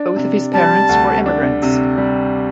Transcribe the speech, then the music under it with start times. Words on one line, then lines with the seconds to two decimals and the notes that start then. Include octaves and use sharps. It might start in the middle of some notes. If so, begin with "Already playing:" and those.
Both of his parents were immigrants.
Already playing: D4
0.16 C3
0.53 G3 A5
0.89 D2
1.26 D4
1.62 C3
1.97 G3